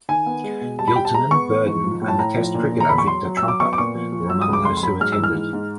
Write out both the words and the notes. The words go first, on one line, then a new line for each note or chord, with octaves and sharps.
Giltinan, Burdon and the Test cricketer Victor Trumper were among those who attended.
D#3 G#5
B3
G#3
B2
G3 A5
B5
G3 G5
A5
G#3 A#5
B3 C#6
E3
G#2
F3
A2
A5
A2 A#5
F3
A#2
A#2
A#5
E2 B5
C#6
F#3 C6
F#3
F#3 E6
D6
B3 C#6
D6
A#2 C#6
F3
F3
F#3 E6
D#6
C#2
D6
F2 C6
C6
F#3 B5
G#2 F6
E6
E3
F6
G#2
G#2